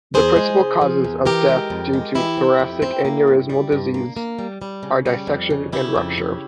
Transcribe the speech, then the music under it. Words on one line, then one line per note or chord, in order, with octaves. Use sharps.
The principal causes of death due to thoracic aneurysmal disease are dissection and rupture.
E2 G#4 C5
G#3
C#3
F3
E2
E3 G4 A#4
G#3
F2
G#3
E3 E4 G4
C4
F2
C4
A#3
G2
G3
G2
A#3
A#3
G3
G3
C#3
G3
F2
C#3
C#3 E4 G4
F2
C#3